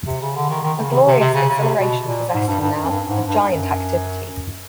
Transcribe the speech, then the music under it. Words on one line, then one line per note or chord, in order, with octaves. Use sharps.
A glorious exhilaration possessed him now, a giant activity.
C3
C#3
D3
D#3
D#3
C#3
C3
C3
C3
C#3
C#3
C3
B2
A#2
G#2
G2
G2
F#2
G2
G#2
G2
F#2